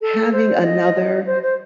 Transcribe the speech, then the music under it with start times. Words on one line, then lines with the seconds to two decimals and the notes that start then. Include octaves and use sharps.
having another
0.01 A4
0.33 C5
0.64 D#5
1.26 C5
1.43 C5